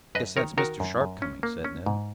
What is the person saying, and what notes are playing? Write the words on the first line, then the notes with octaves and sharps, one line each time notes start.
"Guess that's Mr. Sharp coming," said Ned.
F#2 B4 D#5
D#3 A#4 C#5
D#3 F#4 A#4
F#2
F#2
C#4
A#3
C#4
G#2